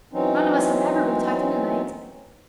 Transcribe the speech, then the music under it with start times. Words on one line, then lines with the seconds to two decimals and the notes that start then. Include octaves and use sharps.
"None of us has ever been tucked in at night."
0.13 E3 F#3 C4 C#4 D#4